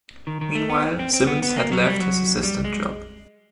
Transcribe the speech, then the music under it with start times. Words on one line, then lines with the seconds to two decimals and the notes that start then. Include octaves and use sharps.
Meanwhile, Simmonds had left his assistant job.
0.27 D#3
0.41 D#3
0.55 A3
0.70 B3
0.99 C4
1.14 C4
1.27 B3
1.43 B3
1.56 A#3
1.72 F#3
1.86 G3
1.99 F#3
2.43 G3
2.65 G#3